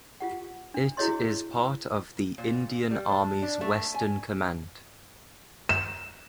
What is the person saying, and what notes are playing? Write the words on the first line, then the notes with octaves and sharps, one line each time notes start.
It is part of the Indian Army's Western Command.
F4 G4 F#5
D4
E4 F#4 G#4 C#5 D#5 C6
A#2
G3
D4
D4
A3
G#5
E7